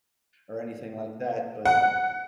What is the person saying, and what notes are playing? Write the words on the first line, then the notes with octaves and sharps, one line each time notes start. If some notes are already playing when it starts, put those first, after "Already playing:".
or anything like that, but, uh
F#5